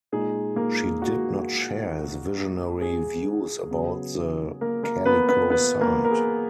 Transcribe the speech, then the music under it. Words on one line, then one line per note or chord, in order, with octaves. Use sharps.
She did not share his visionary views about the Calico site.
A#2 G#3 D#4 G#4
A#3 A#4
F#4
G#4
C#3 F#3 B3
A#3 A#4
A#3 A#4
B3 B4
B3 B4
B3 B4
A#3 A#4
A#4
G#4